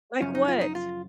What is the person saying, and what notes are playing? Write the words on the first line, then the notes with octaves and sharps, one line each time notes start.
Like what?
F#2 C#3 F3 C#4
D#4
F4
D#4
F4